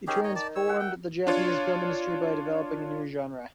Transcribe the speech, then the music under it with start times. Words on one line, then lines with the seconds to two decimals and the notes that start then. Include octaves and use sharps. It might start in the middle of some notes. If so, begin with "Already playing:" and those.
He transformed the Japanese film industry by developing a new genre.
0.07 D#3 C#4 G4 G#4
0.24 C#5 D#5
0.35 D5 A5
0.55 C#5 E6
0.67 E5 F#5
0.80 G5
1.27 D4 F4 C#5